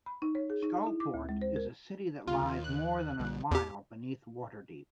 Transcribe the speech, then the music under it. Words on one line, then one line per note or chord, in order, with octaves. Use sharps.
"Skullport" is a city that lies more than a mile beneath Waterdeep.
B5
D#4
C#5
G#4
D#4
E4
D6
D2
G#3
C5
A#4
D2 C#3 F4
D#2
F#6
B1 D3 G3
E2 G4